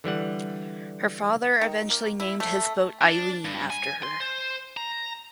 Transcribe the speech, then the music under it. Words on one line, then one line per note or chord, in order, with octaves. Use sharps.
Her father eventually named his boat "Aileen" after her.
D3 E3 G3 F#5
D#3
A#3
E4
A3
D4
G2
G#5
C6
C5
A#5